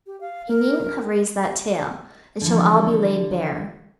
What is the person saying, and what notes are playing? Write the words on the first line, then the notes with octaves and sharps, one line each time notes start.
He needn't have raised that tale: it shall all be laid bare!'
G4
F5
A#4
D3 E3 F3